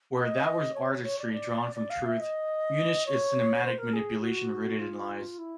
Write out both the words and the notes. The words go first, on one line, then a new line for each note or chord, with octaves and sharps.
Where that was artistry drawn from truth, Munich is cinematic manipulation rooted in lies.
D#5
C#5
C#5
D5
D5
D5
D5
F5
E5
D#5
C#5
C5
A#4
G#4
F#4
F4
E4